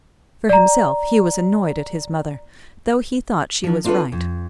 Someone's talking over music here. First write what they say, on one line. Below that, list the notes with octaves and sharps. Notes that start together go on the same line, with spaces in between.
For himself he was annoyed at his mother, though he thought she was right.
D5 A#5
F3 D4
C4 D4 F4 F#4 A4 B4
F2